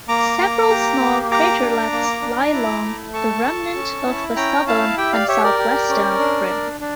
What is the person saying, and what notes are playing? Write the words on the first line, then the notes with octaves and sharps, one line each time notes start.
Several small craterlets lie along the remnant of the southern and southwestern rim.
A#3 A#5 D6
A#3
G4
A#3
G4 A#5 D6
D4
A#3
D4
E4
A3
A4 A5 C#6
A4
C#4
E4
C#4 G5 A#5
E4 F5 A5
G4 E5 G5
D5 F5
G4 C#5 E5
A#4 D5
G4
C#4
D4
D4
D4